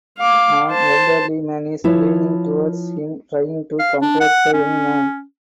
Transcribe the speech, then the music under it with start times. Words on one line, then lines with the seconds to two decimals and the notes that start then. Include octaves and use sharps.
An elderly man is leaning towards him trying to comfort the young man.
0.18 F5 D6
0.69 C5 A5
1.84 F3 E4 B4 C#5
3.79 F5
4.02 D4
4.20 F#5
4.53 C#4